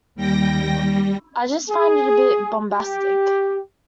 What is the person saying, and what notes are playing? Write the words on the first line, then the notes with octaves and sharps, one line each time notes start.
I just find it a bit bombastic.
D#2 G3 G5 A#6
G3
G#4
G4